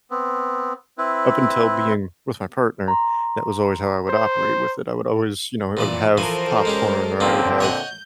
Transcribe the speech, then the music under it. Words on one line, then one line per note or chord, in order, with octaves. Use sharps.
up until being with my partner, that was always how I would operate with it. I would always, you know, I would have popcorn, or I would have,
B3 C4
C4 E4 B4
A#5 C6
C5
A#2 E3 D5
E3 F3 A4 A#4 C5 G#5
G#3 C#4 G4
A#2 D3 F3 A#3 C4 C#4
C#5 D#5 F#5 G6